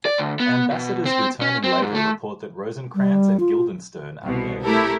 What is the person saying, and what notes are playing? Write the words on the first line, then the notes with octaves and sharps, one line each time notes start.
Ambassadors returning later report that Rosencrantz and Guildenstern are dead.
D5
D2
B3
B2
C4
C#4
C4
G#2
A3
G3
F4
C2 B2
A3 E4 G4 A4 A#4